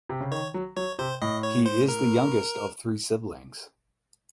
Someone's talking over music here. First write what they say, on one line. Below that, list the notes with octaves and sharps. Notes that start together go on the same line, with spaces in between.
He is the youngest of three siblings.
C3
C#3
D#3 C#5
F#3
F#3 C#5
C3 C5
A2 D#5
C#5
C5
A#4